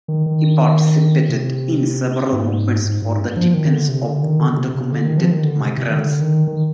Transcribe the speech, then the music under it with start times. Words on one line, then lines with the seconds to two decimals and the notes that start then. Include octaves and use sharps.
He participated in several movements for the defense of undocumented migrants.
0.08 D#3
0.26 D#3
1.29 C3
2.32 G#2
2.85 G#2
3.02 G#2
3.19 G2
3.37 F3
3.54 D#3
3.71 D3
3.89 C3
4.06 D3
4.23 D#3
4.40 D3
4.52 D3
4.57 C3
4.75 C3
4.92 D3
5.05 D#3
5.17 F3
5.31 D#3
5.44 D3
5.61 C3
5.78 C3
5.89 D#3
5.96 D3
6.21 D#3
6.47 D#3